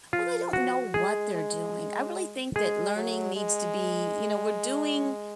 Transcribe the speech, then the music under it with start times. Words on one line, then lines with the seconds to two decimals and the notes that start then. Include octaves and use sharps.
Well they don't know what they're doing. I really think that learning needs to be you know, we're doing
0.13 F3 F4
0.53 F#4
0.94 G#3 G#4
1.34 G#3
2.56 G#3 G#4
2.96 F#3
3.36 G#3